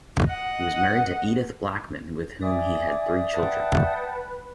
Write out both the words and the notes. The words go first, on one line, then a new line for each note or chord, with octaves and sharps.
He was married to Edith Blackman with whom he had three children.
D#5 F#5
D5 E5 G#5 D6 D#6
B4 F#5 G5 A5